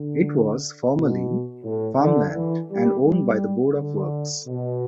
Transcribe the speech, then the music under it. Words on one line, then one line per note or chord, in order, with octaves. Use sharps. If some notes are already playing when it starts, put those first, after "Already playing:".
It was formerly farmland and owned by the Board of Works.
Already playing: D3
B2
A2
D3
E3
G3
G3
D3
B2